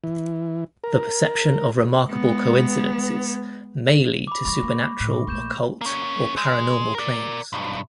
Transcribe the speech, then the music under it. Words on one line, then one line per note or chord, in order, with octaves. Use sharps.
The perception of remarkable coincidences may lead to supernatural, occult, or paranormal claims.
E3
A#4
G#3 B3
B5 D6
F#3 B3 B5 C#6 A#6
A#3
A2
A#1 A3 C#6 G6 E7
A#3 C#4
G#3
A#4 D5
B1 G2